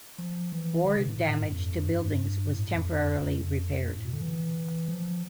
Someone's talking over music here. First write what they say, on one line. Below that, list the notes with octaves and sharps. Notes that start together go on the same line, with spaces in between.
War damage to buildings was temporarily repaired.
F3
E3
D3
C3
A2
A2
A2
G2
F2
G2
A2
F2
F2
A2
B2
D3
E3
F3